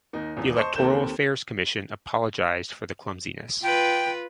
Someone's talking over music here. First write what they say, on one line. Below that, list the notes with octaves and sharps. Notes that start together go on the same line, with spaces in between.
The Electoral Affairs Commission apologised for the clumsiness.
D#2 D#4
D#1 E2
C5 D#5 A5 C6 C#6
D#2 C4 G4 A4 G6 E7
F4 B4 G5